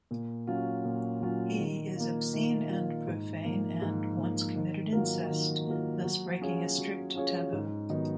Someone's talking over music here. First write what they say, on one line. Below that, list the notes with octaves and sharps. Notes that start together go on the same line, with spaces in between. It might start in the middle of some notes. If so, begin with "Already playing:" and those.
He is obscene and profane and once committed incest, thus breaking a strict taboo.
A#2
F#3 C#4 F4
A#2
F#3 C#4 F4
D#3
A#3 F4
D#3
A#3 F4
G#2
F3 A#3
G#2
F3 A#3
D#3
F#3 A#3 F4 A#4
D#3
F#3 A#3 F4 A#4
F#3
C#4 F4 G#4 C#5
F#3
C#4 F4 G#4 C#5
G#2
D#3 F#3 B3 D#4